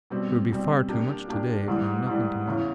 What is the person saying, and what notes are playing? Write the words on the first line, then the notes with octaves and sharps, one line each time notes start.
There would be far too much today and nothing tomorrow.
B2 G3 C4
B2 G3 C4
F3 A#3 D4 G4
F3 A#3 D4 G4
G#2 E3 G3
G#2 E3 G3
E2 C#3 E3